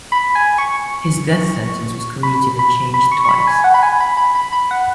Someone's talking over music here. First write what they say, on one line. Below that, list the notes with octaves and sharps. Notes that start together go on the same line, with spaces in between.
His death sentence was commuted and changed twice.
B5
G#5
C#6
B5
B5
B5
C#6
C#6
B5
G#5
F#5
B5
G#5
B5
B5
B5
B5
F#5